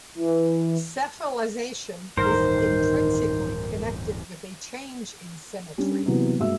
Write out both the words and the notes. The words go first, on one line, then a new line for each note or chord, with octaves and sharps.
Cephalization is intrinsically connected with a change in symmetry.
E3
D1 A1 G2 D#3 A#4 C5
G3 C#4 D4
C3 E3 F#3 A#3 B3
G2 G#3 A#3 F#4 E5 E6